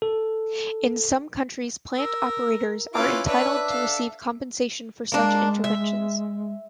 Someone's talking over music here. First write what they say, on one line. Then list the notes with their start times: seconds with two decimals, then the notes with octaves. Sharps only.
In some countries plant operators are entitled to receive compensation for such interventions.
0.02 A4
1.97 A#4 E6
2.94 C#4 E4 F4 B4 D6
3.26 D4 B4 C#5 D5 E5
3.68 A4 F5
5.12 G#3 A#3 D4
5.64 E5